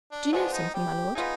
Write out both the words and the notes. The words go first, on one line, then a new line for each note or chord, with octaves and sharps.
"Do you know something, my Lord?"
D4
F3 G#3 B3 D4
D#4
G3 G4
B3 D#4 F4 G#4